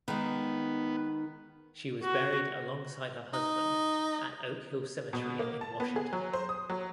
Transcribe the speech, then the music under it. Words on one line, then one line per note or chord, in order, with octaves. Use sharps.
She was buried alongside her husband at Oak Hill Cemetery in Washington.
D#3 G#3 B3
F#4
D#4
B2
A#3
A5
B3
G#4
F#3
C5
D#6
F#3